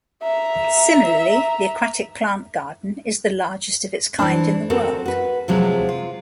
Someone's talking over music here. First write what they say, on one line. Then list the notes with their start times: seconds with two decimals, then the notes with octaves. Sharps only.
Similarly, the Aquatic Plant Garden is the largest of its kind in the world.
0.23 E5 A#5
4.19 E3 C4 D4
4.70 C4 F#4 A4 A#4
5.06 F#4 B4
5.48 C3 F3 F#3 G#3
5.89 F4